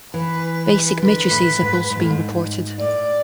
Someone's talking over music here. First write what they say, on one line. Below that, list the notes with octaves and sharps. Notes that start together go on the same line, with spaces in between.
Basic matrices have also been reported.
E3 B4
D3 B4
A2
G#2
G#2
A2
G#2
A2 D5